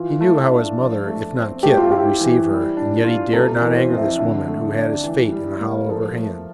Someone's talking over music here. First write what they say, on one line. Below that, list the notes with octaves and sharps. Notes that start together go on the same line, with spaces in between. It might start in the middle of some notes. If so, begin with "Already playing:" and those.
He knew how his mother, if not Kit, would receive her, and yet he dared not anger this woman, who had his fate in the hollow of her hand.
Already playing: E3 F4
A3
D4
F3
A3
C4
A3 G4
F4
E4 G4
E3
G3
D4
F4
C3 A4
A#4
E3
C5
F2
E5
D3 E5
A3
D4
E3
G3
A#3
F3 A4
A3